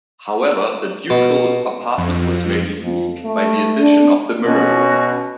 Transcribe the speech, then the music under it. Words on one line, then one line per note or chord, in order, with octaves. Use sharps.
However, The Ducal apartment was made unique by the addition of the Mirror Room.
B2
F2
F2
A3
D4
B2 C#4 F#4